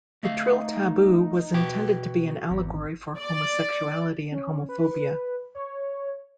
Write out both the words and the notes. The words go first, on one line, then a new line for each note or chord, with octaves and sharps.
The Trill taboo was intended to be an allegory for homosexuality and homophobia.
A3 D#5 F5
D#4
B2 F#4 B4 G5
G#1 E2
D5
C#4
B4
C#5